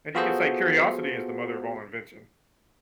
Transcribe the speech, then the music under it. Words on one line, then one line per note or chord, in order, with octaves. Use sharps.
And you can say curiosity is the mother of all invention.
B3 F4 F#4 G#4 A4 C5